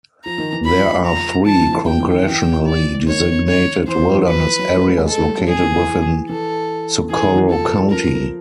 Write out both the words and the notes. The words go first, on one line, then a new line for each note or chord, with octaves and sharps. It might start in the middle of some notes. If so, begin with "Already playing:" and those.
There are three congressionally designated Wilderness areas located within Socorro County.
F3 A#5
D#3
E3
F3 B5
A#5
E3 A5
F3
E3
F3 G5
E3
D#3
E3 G5
D5
D#3 C#5
C#5
E3 C5
F3
E3
F3 B4
E3
F#3
F3
F#3
G3
G#3
G#3 A4
A3
G3
F#3
G#4
E3
E3
E3 A4
E3 G#4
D#3
E3
F3 A4
F3 A#4